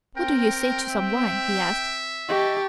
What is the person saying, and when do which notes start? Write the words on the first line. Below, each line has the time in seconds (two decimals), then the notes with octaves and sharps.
"What do you say to some wine?" he asked.
0.17 C4 A#4 G5
0.90 E5
2.29 G4 D#5 A5 C#6